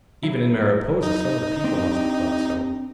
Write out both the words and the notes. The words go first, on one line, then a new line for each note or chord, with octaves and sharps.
Even in Mariposa some of the people must have thought so.
F#3 E4
D#4
C4 D4 G4